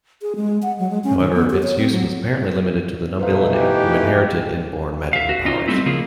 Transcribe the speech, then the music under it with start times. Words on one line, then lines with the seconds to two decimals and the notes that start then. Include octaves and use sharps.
However, its use was apparently limited to the nobility, who inherited inborn magical powers.
0.22 G#4
0.36 G#3
0.63 F#5
0.79 F#3
0.90 G#3
1.04 C#4
1.20 D#3
1.33 B3
1.50 G4
1.63 C#5
1.78 C4
1.91 F#3
3.19 B2 A3 D#4 B4 C5 F5
3.54 E3 G4
5.13 E5 F5
5.29 F#4
5.45 C#4 D#4 F4
5.68 F#3 G3 A3 C4 E4
5.86 C#3 F3 A#3 F4 G#4